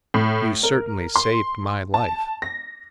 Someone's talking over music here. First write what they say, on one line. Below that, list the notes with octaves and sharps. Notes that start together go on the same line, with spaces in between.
You certainly saved my life.
A2
A#4
C6
A5
A#6